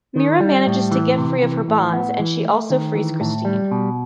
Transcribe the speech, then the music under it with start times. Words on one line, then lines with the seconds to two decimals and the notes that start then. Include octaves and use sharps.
Meera manages to get free of her bonds and she also frees Christine.
0.16 D#3
0.40 G3
0.67 A2
0.92 E3
1.17 C3
1.42 E3
1.68 A2
1.93 B3
2.19 E3
2.45 A3
2.70 D#3
2.95 E3
3.21 A2
3.45 G3
3.71 B2